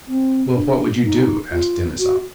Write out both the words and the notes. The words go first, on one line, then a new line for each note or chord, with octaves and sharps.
"Well, what would you do?" asked Denisov.
C4
D4
D#4
F4
F#4